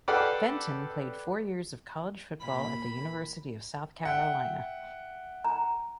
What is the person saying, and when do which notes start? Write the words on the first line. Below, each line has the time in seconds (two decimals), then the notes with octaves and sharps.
Fenton played four years of college football at the University of South Carolina.
0.08 G4 A4 B4 D5 F5 F#5
2.41 D#2 A#2 A#3 B5
4.04 E5 F#5 G5
5.44 A#5